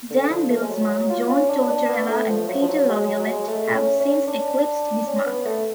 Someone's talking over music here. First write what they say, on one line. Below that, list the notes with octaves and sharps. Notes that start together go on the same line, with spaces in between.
Dan Bylsma, John Tortorella and Peter Laviolette have since eclipsed this mark.
D3
F3
A3
G#3
F#3
F#3
F4
C#4
D4
D4
B3
A3
F3
F#3
F3
F#3
G#3
F#3
F#3
G#3
A3
C#4
C#4
D4
C#4
B3
A3